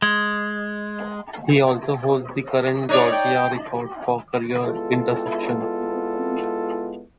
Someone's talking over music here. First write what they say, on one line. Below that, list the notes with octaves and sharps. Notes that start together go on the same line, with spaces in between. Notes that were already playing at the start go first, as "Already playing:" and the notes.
He also holds the current Georgia record for career interceptions.
G#3 G#6
D4 D#4 C#5 D5
G5
G#3 B3 E4 F4 A4